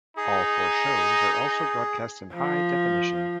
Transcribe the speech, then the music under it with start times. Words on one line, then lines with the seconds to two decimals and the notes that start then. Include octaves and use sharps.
All four shows are also broadcast in high definition.
0.17 D#4 G#4
2.34 F3